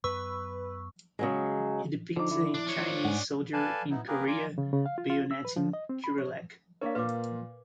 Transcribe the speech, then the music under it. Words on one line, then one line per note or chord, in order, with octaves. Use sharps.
It depicts a Chinese soldier in Korea bayonetting Kurelek.
F#2 B3 B4 C#6 E6
C#3 F#3 G#3
D3 F3 D#4 D6
E4
D4
D4 C#5
F4 C5
G#2 F#5 G#5
A4 B4 D5 F5 G#5 A5
B3 D#4 E4
A#3 G4 G#4 A#4 B4
F4 D5 G#5 A#5 D6
C#3
C#3
F5
F4
F4
E6
B4
F3
D#5
C4
B5
C#5
A#3 D4 A#4 C#5 F5
A#2 F4 B4 D6